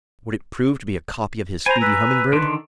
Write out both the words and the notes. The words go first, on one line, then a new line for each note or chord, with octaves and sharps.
Would it prove to be a copy of his speedy Humming-Bird?
C5 G#5 A#5 B5
B4 E6
D3 D#3 C6